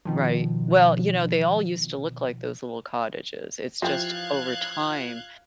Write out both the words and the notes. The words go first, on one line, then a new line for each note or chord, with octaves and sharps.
Right, well, you know, they all used to look like those little cottages, it's just over time
B2 D#3 F3
E3 F3 G4 C5 F5 F#6 G#6